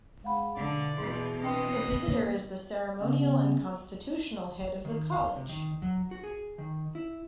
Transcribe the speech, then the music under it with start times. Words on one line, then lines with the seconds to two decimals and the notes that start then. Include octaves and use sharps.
The Visitor is the ceremonial and constitutional head of the college.
0.24 G#3 F5 F#5 B5
0.57 B2 D3 D5
0.98 B2 E3 G#4 C6
1.42 C4 D4 B4 D#5 G5 C6
2.03 A#3
3.01 C#3 B3 C#4
4.85 D#3
5.12 F5
5.36 C3
5.49 D#3
5.82 F#3
6.11 F#4
6.23 G#4
6.58 D#3
6.95 E4